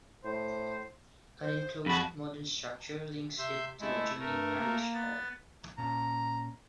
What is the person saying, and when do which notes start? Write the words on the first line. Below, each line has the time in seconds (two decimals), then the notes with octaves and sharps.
An enclosed modern structure links it to the adjoining parish hall.
0.25 A2 C5
1.41 C5
1.86 F2 F#4 G#4 A5 B5
3.38 C3 E5 C6 G6
3.80 G#3 A3 E4
4.19 G2 A3 A#4
4.57 A#3
4.94 B3 A6
5.78 A#2 C#4 A5 A#5